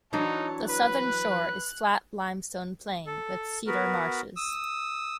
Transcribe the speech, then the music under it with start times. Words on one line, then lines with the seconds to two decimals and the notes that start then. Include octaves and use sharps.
The southern shore is flat limestone plain, with cedar marshes.
0.13 E3 F#3 D4 D#4 C#5 A5
0.69 B4 F#6
3.07 A4
3.67 B3 F#4 A#4 B4
4.36 D#6 E6